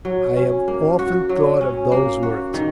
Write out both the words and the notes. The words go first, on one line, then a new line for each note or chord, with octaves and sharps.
I have often thought of those words.
F#3
C#4
A#3
F#4
F#3
C#4
A#3
F#4
D#3